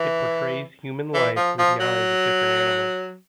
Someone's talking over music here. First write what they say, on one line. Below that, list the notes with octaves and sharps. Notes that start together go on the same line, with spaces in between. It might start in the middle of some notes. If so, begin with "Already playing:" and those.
It portrays human life through the eyes of different animals.
Already playing: E3
E3
F3
F3
F#3